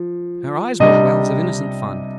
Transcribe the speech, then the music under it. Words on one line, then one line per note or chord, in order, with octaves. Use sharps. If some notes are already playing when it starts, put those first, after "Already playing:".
Her eyes were wells of innocent fun.
Already playing: F3
C3 G3 D4 D#5